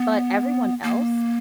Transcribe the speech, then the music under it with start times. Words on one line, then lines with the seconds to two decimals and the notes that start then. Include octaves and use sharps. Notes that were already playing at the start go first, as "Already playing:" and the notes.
But everyone else,
Already playing: B3
0.83 A#3